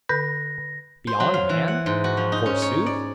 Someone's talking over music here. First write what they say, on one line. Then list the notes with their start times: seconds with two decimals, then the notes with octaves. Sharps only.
Beyond man, forsooth?
0.09 D3 B4 A#6
1.07 C5
1.20 F#3
1.34 F5
1.49 E3
1.68 F#5
1.86 G#2
2.04 F#4
2.17 F3
2.32 D#4
2.46 C#4
2.62 C#5
2.86 D5